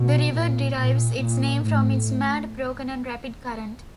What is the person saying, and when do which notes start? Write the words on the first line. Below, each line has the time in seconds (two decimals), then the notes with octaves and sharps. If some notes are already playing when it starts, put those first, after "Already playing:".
The river derives its name from its mad, broken and rapid current.
Already playing: B2
0.33 A#2
0.77 A#2
1.20 A#2
1.63 A2